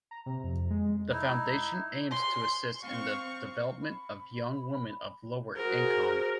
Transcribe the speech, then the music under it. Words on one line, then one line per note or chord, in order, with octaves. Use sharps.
The foundation aims to assist in the development of young women of lower-income.
A#5
C3
F2
G#3
D#4 E4
C6
C4 F5 C#6
B5
F#4 G#4 A#4 C5